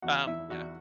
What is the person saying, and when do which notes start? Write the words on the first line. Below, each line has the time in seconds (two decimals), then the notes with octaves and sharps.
Um, yeah.
0.02 E2 F#4 F#5
0.27 E2 E4 E5
0.50 E2 F#4 F#5